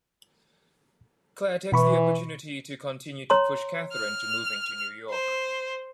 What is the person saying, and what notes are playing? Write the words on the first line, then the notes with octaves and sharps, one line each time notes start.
Claire takes the opportunity to continue to push Catherine to moving to New York.
B2 E3 B5 C#6
C#5 A#5 C6
F6
C5